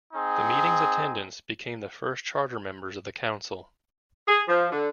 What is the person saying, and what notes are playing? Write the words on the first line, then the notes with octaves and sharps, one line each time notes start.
The meeting's attendants became the first charter members of the Council.
C4 D#4 G#4
G#4
F3
D3